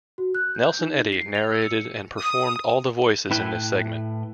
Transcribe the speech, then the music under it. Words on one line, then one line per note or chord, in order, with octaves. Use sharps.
Nelson Eddy narrated and performed all the voices in this segment.
F#4
F#6
G6
D#4
C7
F7
E6
C#7
D#6
A2 E4 B4 G5